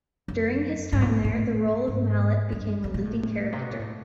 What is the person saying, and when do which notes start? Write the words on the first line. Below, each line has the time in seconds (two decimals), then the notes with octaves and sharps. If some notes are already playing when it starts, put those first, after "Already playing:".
During his time there, the role of Mallet became a leading character.
0.28 F#2
0.92 G2
1.02 A#2
1.08 A2
1.25 A2
1.87 G#2
2.52 G2
2.84 F2
2.94 A#2
3.05 A2
3.53 C3
3.61 B2
3.71 A#2
3.80 A2